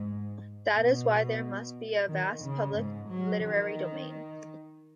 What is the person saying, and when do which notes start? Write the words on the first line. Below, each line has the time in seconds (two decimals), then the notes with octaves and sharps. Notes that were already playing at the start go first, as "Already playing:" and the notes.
That is why there must be a vast public literary domain.
Already playing: G#2
0.74 B2
2.10 D#3
2.44 C#3
2.78 G#2
3.12 F#3
3.46 D#3